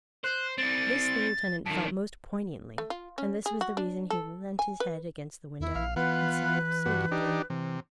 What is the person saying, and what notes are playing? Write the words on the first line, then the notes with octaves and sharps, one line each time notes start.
This the lieutenant felt most poignantly, and this was the reason he leant his head against the window, and sighed so deeply.
C5 F#6
C4 D5 A6
F#2 D#3 A5
A3
F4
C#4
G#4
F#4
D4
A4
G#5
B4
E2 E4
A#1 F5
E3 B3 F4 B4 F#5
G2 F#4
D4 D#4 G4
C3 E3